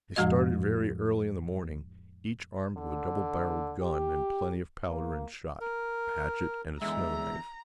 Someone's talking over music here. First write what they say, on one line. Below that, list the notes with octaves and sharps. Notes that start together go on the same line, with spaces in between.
They started very early in the morning, each armed with a double-barrelled gun and plenty of powder and shot, a hatchet, and a snow knife.
F2 A2 F3 G#3 F#4 D#5
D3
G4
A#3
A#4
E2 G2 D3 G#3 E5 A#5